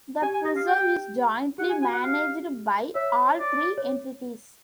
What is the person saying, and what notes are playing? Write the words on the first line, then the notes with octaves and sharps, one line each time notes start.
The preserve is jointly managed by all three entities.
G4 G#5
G#5
G4 D#5
F5
G5
G4 F#5
G#5
F#4 G#5
F#5
G4 F5
C#5 E5
D5
C#5